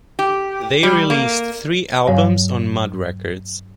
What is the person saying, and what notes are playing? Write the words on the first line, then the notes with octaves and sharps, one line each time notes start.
They released three albums on Mud Records.
G4
G3
A#3
G2 F#3 C#5 F5